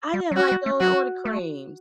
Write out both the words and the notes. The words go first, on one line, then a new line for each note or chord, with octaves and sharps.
I didn't like those or the creams.
G3
F#3
G3 F#4
G3
A3
F#3 F#4
A3